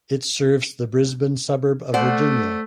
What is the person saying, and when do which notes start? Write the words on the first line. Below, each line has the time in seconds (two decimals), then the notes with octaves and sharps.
It serves the Brisbane suburb of Virginia.
1.94 A3 C5 D5 F#5